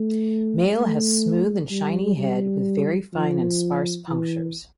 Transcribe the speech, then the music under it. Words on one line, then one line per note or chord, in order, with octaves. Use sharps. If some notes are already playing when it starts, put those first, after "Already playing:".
Male has smooth and shiny head with very fine and sparse punctures.
Already playing: A3
A3
G3
G3
F3
E3